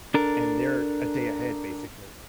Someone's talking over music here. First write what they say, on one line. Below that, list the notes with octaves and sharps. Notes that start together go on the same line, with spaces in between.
and they're a day ahead, basically,
D4 A4 A#4